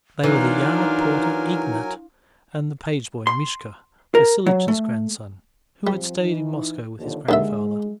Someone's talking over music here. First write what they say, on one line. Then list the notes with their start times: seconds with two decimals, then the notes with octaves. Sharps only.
They were the yard porter Ignat, and the page boy Mishka, Vasilich's grandson who had stayed in Moscow with his grandfather.
0.23 E3 F#3 D4 D#4 F4 A#4 G#5
3.27 C6
4.15 A#4
4.46 F#3
4.68 A3
5.87 F3 G3 C4
6.17 E3 D#4
6.98 D#2 D3 F3
7.29 D#2 D3 G#3 E5